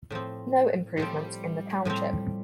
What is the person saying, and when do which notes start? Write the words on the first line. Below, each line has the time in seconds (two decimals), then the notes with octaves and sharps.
No improvements in the Township.
0.10 A2 F3 C4
0.97 A2 F3 G3 C4
1.85 A2 F3 C4